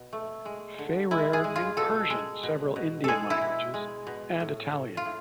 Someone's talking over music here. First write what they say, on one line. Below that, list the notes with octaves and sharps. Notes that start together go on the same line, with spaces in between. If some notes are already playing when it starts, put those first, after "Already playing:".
Fayrer knew Persian, several Indian languages and Italian.
Already playing: B2
A3
G#3
D3
G#3 E4
G#4
G#3
F4
B2 A4
G#3
B2
B2
G#3 G#4 A4
E4
B2
G#3
B2
A2
A2
F4
A2